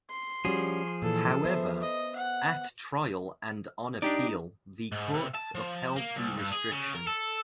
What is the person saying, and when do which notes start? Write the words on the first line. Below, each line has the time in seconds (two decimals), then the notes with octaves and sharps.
However, at trial and on appeal the courts upheld the restriction.
0.10 C6
0.45 F3 G3 C#4 F#4 G#4
1.02 A#2 E3 A4
1.44 B3 C5 E5
1.81 D#5
2.16 F#5
4.02 D4 D#4 G4 D5
4.92 G#2
5.14 C3
5.35 A5
5.55 F3
5.96 A#3
6.17 C2
6.39 G2
6.53 G#4
6.72 C#3
6.94 A#4
7.07 A4